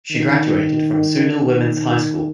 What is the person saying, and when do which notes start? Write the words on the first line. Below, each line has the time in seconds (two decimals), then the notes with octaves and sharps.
She graduated from Sunil Women’s High School.
0.11 D#3
1.27 D#3